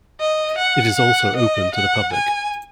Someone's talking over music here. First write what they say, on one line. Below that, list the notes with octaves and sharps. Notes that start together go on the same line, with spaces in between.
It is also open to the public.
D#5
F#5
F#5
D#5
F#5
G#5